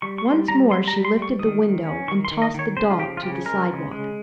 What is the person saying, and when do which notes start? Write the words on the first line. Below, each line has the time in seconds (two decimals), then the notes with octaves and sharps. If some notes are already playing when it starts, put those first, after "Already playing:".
Once more she lifted the window and tossed the dog to the sidewalk.
0.02 G3 C#6
0.18 C#6
0.25 G3 C6
0.48 G3 A#5
0.70 G3 C6
0.88 A#5
0.93 G3
1.05 C6
1.17 G3
1.22 C#6
1.39 D#3 D#6
1.62 D#3
1.85 C#4
2.08 D#3 C#6
2.25 C6
2.31 D#3
2.42 D#5
2.54 D#3 C#5
2.77 C#3 C5
2.90 F4
2.99 F3 G4
3.17 F4
3.22 C#3 G4
3.45 G#3 A#4
3.68 C#3
3.92 G#3